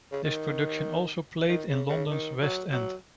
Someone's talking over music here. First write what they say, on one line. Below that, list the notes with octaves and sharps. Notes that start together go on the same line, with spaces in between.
This production also played in London's West End.
C#3
D#3
D#3
C#3
C#3
D#3
F#3
F#3